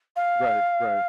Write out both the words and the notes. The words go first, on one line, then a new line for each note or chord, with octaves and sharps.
Right, right.
F5